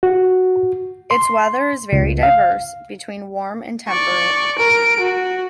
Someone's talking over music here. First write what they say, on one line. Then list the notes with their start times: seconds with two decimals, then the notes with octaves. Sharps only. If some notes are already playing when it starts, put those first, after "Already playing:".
Its weather is very diverse, between warm and temperate.
0.03 F#4
1.11 C6
1.92 C#2
2.23 F5
3.88 D5 C#6
4.58 A#4 D7
5.00 F#4